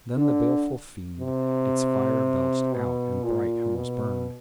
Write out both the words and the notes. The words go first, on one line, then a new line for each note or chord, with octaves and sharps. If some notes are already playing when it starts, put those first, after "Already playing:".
THEN the baleful fiend its fire belched out, and bright homes burned.
D3
C3
B2
A#2
B2